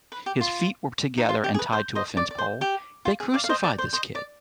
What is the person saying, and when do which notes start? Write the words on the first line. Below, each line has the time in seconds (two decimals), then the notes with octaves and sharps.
his feet were together and tied to a fence pole, they crucified this kid
0.12 B4
0.26 G4
0.41 F4
1.18 D#4
1.29 F4
1.44 G4
1.54 G#4
1.59 B4
1.73 C5
1.95 C5 D#5
2.17 D5
2.31 D5
2.38 C5
2.61 G4
3.05 F4
3.20 G#4
3.34 D5 F5
3.44 F5
3.49 C5 D#5
3.63 D5
3.78 C5
3.93 C5 D#5
4.15 D5